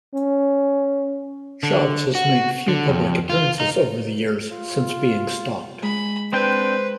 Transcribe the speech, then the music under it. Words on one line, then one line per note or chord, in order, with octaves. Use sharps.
Chaves has made few public appearances over the years since being stalked.
C#4
D3
F#4
D3
F2
F4
D#4
F4
G#3 B5
C4 D4 B4 C5 G5